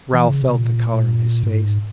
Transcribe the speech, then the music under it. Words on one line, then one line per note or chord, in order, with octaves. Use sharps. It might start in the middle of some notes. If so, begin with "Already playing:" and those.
Ralph felt the colour in his face.
E3
C#3
C3
A#2
G#2